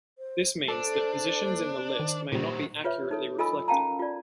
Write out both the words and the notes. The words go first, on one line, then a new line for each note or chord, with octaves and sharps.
This means that positions in the list may not be accurately reflected.
C5
D4 A4 C5
D#3
A#2 D#3 F#3 G3 C5
F4 B4 C#5 E5
D#4 A4 C#5
F4 A4 D#5 G#5 B5 E6
C#4 A#4 F5 G5 A5 A#5
F4 D5